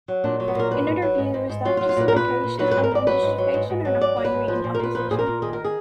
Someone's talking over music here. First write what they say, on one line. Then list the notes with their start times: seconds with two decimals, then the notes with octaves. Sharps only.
Another view is that justification and non-justification are not in binary opposition.
0.08 F#3
0.24 A#2 D4
0.40 F#3
0.48 B3
0.55 A#2 A#4
0.71 G#2 B4
0.87 G#2
1.02 F#3
1.18 G#2
1.34 G#2
1.49 G#2
1.65 F#3 F4
1.77 F4
1.81 F#3
1.89 F4
1.97 A#2 B4
2.08 A#4
2.12 A#2 B4
2.28 A#2
2.44 A#2
2.59 F#3 B4
2.71 G#2 B4
2.83 A#4
2.92 G#2 D5
3.07 F#3 B4
3.22 G#2
3.38 F#3
3.54 G#2
3.70 G#2
3.85 F#3
4.01 G#2 D5
4.16 F#3
4.25 B4
4.32 G#2
4.48 F3 B4
4.64 A#2
4.74 A#4
4.79 A#2 B4
4.95 F3 B4
5.11 A#2 G#4
5.19 A#4
5.26 A#2
5.42 D#3 G#4
5.53 A#4
5.64 G#4